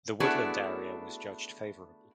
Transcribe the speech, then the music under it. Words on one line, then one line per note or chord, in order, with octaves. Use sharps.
The woodland area was judged favourable.
A3 B3 D4 E4 F#4 G#4